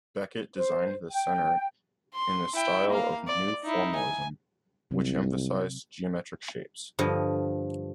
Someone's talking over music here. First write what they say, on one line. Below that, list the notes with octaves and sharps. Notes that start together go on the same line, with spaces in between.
Becket designed the center in the style of New Formalism, which emphasized geometric shapes.
C5
G5
C6
E4 G5
A#3 F5
D5
D#4 E4
G#5
C2 C3 F#3 C4
G2 D3 F3 D#5